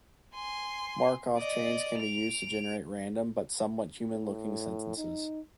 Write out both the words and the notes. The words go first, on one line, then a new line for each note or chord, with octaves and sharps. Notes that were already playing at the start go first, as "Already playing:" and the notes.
Markov chains can be used to generate random but somewhat human-looking sentences.
G#5 C6
D5 D#5
D7 F7
A2
D#4